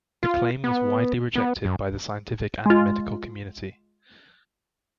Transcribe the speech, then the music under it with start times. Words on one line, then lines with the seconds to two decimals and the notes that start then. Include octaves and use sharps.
The claim was widely rejected by the scientific and medical community.
0.23 F4
0.64 B3
1.35 B3
1.65 F#2
2.66 G#3 F4